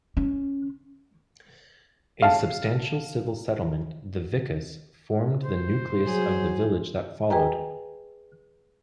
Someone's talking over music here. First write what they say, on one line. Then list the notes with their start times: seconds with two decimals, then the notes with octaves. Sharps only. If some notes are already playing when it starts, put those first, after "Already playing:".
A substantial civil settlement, the "vicus", formed the nucleus of the village that followed.
0.17 C#4
2.22 F5 A5
5.44 C5
6.06 F#3 G#4
7.30 G#4 B4 D#5 G5 G#5 A#5